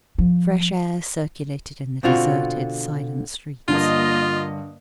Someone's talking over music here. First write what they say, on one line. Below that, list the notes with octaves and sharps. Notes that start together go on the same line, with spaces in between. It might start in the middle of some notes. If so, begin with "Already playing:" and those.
Fresh air circulated in the deserted, silent streets.
F3
B2 D3 C4 F4 F#4
G2 D3 A#3 F4 D#5